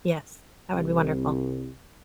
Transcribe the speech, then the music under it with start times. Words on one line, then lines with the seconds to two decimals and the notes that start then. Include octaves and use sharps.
Yes. That would be wonderful.
0.73 C2